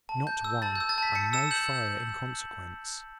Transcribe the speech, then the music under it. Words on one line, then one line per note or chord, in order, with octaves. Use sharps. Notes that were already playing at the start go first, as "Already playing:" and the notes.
"Not one, and no fire in consequence."
A5
G6
E6
A5 A6
G6
E6
A6
A5 B6
A5 C#7
E6 E7
G6 F#7